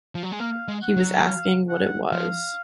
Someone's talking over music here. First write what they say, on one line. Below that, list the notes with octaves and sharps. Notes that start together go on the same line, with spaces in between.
He was asking what it was.
F3
F#3
G#3
A#3 F5
G#3
F#5
F#3
F5
F#5
F3 F5